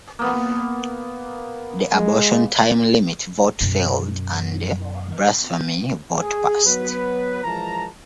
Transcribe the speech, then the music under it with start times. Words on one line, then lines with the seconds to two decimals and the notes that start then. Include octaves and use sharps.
The abortion time limit vote failed and the blasphemy vote passed.
0.19 A#3 B3
1.94 G#3
3.61 F#2 B2
6.17 G#4
6.65 F#3 B3 B4
7.44 E3 F3 G#3 A#4 A5 A#5